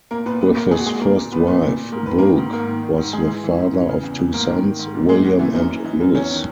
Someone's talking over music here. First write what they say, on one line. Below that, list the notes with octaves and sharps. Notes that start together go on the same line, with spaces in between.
With his first wife, Brooke was the father of two sons, William and Louis.
A#2 A#3 A#4
A#2 B3 B4
A#2 B3 B4
A#2 A#3 A#4
A#2 G#4
F#4
A#2 G#3 G#4
A#2 A#3 A#4
A#2
A#2 B3 B4
A#2
A#2
A#2
G#2 A#4
D#3 B4
D#3 A#3 A#4
G#2
G#2 A#3 A#4
D#3
D#3
G#2
G#2 G#3 G#4
E3
E3
G#2
E3
C#3
E2
E2
G#2 A#3 A#4
D#3
D#3
G#2
A#2
A#2 G#3 G#4
A#2 F#3 F#4
A#2 E3 E4
F#2 D#4
E3
E3 D#4
F#2
E2 C#4
D#3